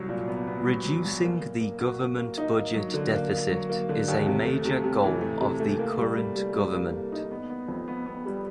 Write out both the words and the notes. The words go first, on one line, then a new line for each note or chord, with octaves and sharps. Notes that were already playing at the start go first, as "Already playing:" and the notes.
Reducing the government budget deficit is a major goal of the current government.
Already playing: C2 F#3
A#2
B3
B3
F#3
F#3
F#3
A#3
A#3
A#3
F#4
F#4
A#3
D#4
A#3
F#3
D3
A#3
A#3
F#3
A#3
D3
D#2
C3
A3
C3
C3
E3
A3
C3
A3
A#3
G3
G3
G3
G3
A#3
A#3
D#4
B3
B3
F2
B3
B3
G3